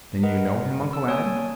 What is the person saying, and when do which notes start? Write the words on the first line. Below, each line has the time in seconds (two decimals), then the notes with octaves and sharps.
Then you know him, Uncle Adam?
0.23 A#4 B4 D#5 F#5
0.93 A5 E6
1.08 A#3 C#5 D5 G#5 D#6